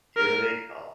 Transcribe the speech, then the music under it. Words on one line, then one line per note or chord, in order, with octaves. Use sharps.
Here they come.
A#4